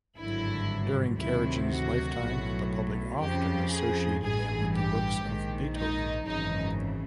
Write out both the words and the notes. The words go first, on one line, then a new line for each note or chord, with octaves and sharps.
During Karajan's lifetime, the public often associated him with the works of Beethoven.
G#1 G2 D3 F#3 E4
D2 C3 D#3 F#3 E4
F#4
B1 A2 F#3
F2 C#3 F3 G4
G#4
A1 G2 E3 G#4
G4
A#1 G#2 D#3
D#4
G#1 F#2 C#3 E3 D#4